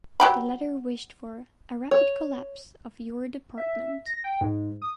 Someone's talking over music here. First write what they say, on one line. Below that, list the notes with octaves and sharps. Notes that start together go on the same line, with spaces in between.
The letter wished for "a rapid collapse of your department".
F#3 G4 B5
C#5
E5
A#6
G5
G#2
D#6